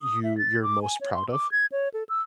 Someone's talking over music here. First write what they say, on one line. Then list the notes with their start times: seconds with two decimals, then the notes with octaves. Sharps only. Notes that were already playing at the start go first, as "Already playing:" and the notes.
you you're most proud of?
0.02 D#6
0.24 E5
0.38 A6
0.62 D6
0.82 G#5
1.01 C#5
1.14 C6
1.32 D6
1.52 G#6
1.72 C#5
1.94 A4
2.09 E6